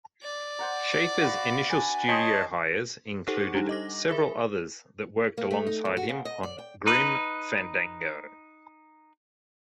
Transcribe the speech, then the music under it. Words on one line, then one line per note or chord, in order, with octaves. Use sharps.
Schafer's initial studio hires included several others that worked alongside him on "Grim Fandango".
D5
C5 F#5 A#5
F#4 B4 F5
D4 B4 G#5
C#5 D#5 G5 A5 C6 D#6
D#4 G4 A4 C5 F#5 C#6
G3 D4 D#4 G4
D#5 D6 A#6
G#4 A#4 E5 B5
A#3
A3
D#4
F2
F#4
C#3
D#5
D5
G5
D#4 B4